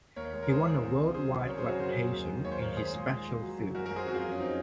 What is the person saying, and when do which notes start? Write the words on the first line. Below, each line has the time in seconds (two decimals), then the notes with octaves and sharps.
He won a worldwide reputation in his special field.
0.16 D#2 A#4 C#5
0.33 G#3
0.42 A#4
0.49 D#3 G#4 C5
0.66 D#3
0.82 C2
0.98 C2
1.14 F#3 G#4 C5
1.31 C2
1.47 C#3 A#4 C#5
1.58 F#2 G#4 C5
1.68 F#4 A#4
1.79 C#3 G#4 C5
1.96 F#2
2.12 D#2
2.28 D#3
2.45 D#2 C#5
2.52 C5
2.59 D#2 A#4 C#5
2.77 G#3 G#4 C5
2.94 A#2
3.10 G#3
3.26 A#2
3.42 F#3
3.59 F#2
3.75 F#2 F#4 A#4
3.86 F#4 A#4
3.91 F#2
3.96 G#4 C5
4.07 F2 F#4 A#4
4.15 F4 G#4
4.24 F2
4.32 C#4
4.40 C4 D#4